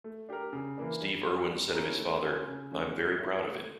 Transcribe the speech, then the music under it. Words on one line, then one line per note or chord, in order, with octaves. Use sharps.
Steve Irwin said of his father: I'm very proud of him.
A3
D4 G4 A#4
C#3
E3 A#3 D4
G3
D4 F4
G3
A#3 C#4 E4 A#4
A3
C#4 F4
C#3
F3 A3 C#4
G3
D4 F4 C#5 E5
A3